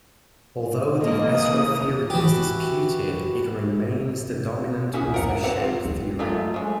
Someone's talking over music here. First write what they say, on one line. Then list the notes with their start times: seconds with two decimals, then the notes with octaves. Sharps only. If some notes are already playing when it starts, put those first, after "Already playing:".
Although the Ezra theory is disputed, it remains the dominant authorship theory.
1.02 E3 A#3 D#5
1.38 D#6
2.10 E3 F#4 G4
4.93 C#4 E4 F#4 G#4
5.14 A#4 F#5 A#5
5.44 C4 B4 F#5
5.64 F4
6.19 F#3 G#3 A3 F4
6.54 G#3 A3